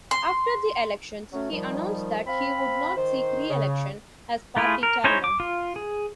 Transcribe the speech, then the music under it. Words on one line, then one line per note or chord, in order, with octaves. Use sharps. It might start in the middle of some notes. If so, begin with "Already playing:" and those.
After the elections he announced that he would not seek re-election as party chairman.
C6
F#3 A3 C#4
D#3 F3 G3
C4 C5 F5 B5
D#3 C5
C#3
A3 E4 F4 G#4
A#4
C#4 D#4 E4 C5 C#5
D6
F4
G#4